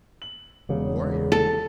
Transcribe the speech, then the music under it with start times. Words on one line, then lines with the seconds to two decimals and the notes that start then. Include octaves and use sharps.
"Who are you?"
0.22 F#7
0.69 E1 C#3
1.32 A4